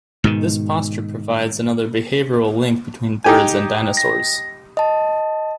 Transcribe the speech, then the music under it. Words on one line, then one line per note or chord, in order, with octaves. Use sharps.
This posture provides another behavioral link between birds and dinosaurs.
G#2 B2 D#3
D#4 G4 G#5
A#6
D#5 A5